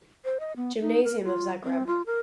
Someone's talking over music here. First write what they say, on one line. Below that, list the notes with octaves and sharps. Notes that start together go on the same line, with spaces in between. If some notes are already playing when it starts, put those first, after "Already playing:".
Gymnasium of Zagreb.
C5
D#5
B3
D#4
A#4
F4
C4
F4
A#4